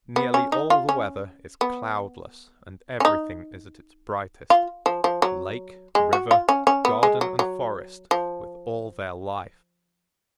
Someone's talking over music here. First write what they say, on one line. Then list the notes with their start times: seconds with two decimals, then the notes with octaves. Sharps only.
Nearly all the weather is cloudless and everything is at its brightest--lake, river, garden and forest with all their life.
0.16 B3
0.34 C#4
0.52 D#4
0.70 F4
0.89 C#4
1.61 B3
3.00 C#4
3.05 D#4
4.50 F4
4.86 F3
5.04 F3
5.22 F#3
5.95 G#3
6.13 F#4
6.31 F4
6.49 C#4
6.67 C#4
6.85 B3
7.03 G#3
7.21 F#3
7.39 F#3
8.11 F3